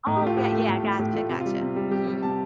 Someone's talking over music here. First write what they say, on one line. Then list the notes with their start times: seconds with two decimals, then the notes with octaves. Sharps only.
Oh, 'kay, yeah, I gotcha, gotcha. Mhm.
0.07 A2
0.17 G4
0.22 A3 F4
0.37 A2 G4
0.53 A3
0.69 A2
0.84 A3
0.99 A2 G4
1.13 A3 F4
1.29 C3
1.41 F4
1.46 G3
1.61 C3
1.76 G3
1.91 C3 G4
2.07 G3
2.22 C3 A5